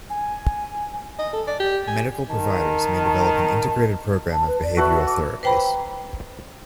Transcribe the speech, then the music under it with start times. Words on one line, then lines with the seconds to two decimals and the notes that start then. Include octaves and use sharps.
Medical providers may develop an integrated program of behavioral therapies.
0.10 G#5
1.19 D#5
1.33 A4
1.47 D5
1.60 G4
1.87 G#5
2.29 D#3 A5
4.31 A5
4.47 B4
4.63 D5
4.77 F#4 A4 B4 E5
5.06 D6
5.43 B4 C5 G5 A#5 B5